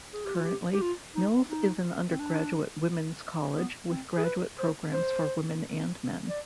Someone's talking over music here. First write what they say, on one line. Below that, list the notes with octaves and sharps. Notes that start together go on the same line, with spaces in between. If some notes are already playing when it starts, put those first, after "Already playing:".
Currently, Mills is an undergraduate women's college with graduate programs for women and men.
G#4
G4
F4
G4
G4
F4
D#4
D#4
C4
D4
B3
C4
G#4
B4
C5
C5
D5